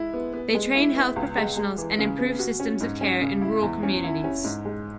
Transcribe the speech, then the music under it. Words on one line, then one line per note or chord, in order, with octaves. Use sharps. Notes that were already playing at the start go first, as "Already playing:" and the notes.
They train health professionals and improve systems of care in rural communities.
Already playing: G#3 E4
B3
B3
G#3
E4
B3
C#2
G#3
G#3
E3
C#3
B3
F#4
C#4
G#2
C#4
C#3
E4
E2
C#4
E4
C#4
G#2
G#3